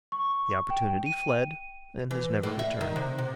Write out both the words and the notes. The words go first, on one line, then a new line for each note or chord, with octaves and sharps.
The opportunity fled and has never returned.
C#6
G5
D#7
E3
A2
E5
D#3
C3
C3